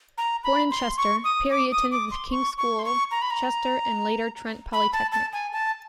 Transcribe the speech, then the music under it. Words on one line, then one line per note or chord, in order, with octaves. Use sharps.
Born in Chester, Parry attended The King's School, Chester, and later Trent Polytechnic.
A#5
B5
C6
C#6
D#6
D6
D#6
D6
C6
C#6
C#6
C6
C#6
A#5
B5
A#5
B5
A5
A5
G#5
A5